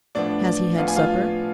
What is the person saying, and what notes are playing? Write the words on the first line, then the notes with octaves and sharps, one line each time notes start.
Has he had supper?'
A2 F3 B3 D4 D5
A2 F3 B3 F5
G#5
F4 F5